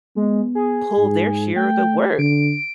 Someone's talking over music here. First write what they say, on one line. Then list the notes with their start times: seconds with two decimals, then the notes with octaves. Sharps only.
pull their share of the work,
0.16 G#3 B3
0.55 G#4
0.97 G#2
1.56 A3 G5
2.19 D3 D7